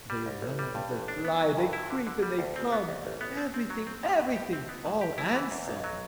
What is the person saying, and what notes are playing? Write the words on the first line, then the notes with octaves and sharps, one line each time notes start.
They run and they fly, they creep and they come, Everything, everything, all and some.
G3
C2
A1
G3
G2
A1
D4
B3
F#3
G2
E4
D3
D3
G3
D2
C4
B3
C2
A1
B3
C4
C4
F#3
C4
A2
A2
G4
C4
B3
A2
G4
E4
E3
E2
B1
F#3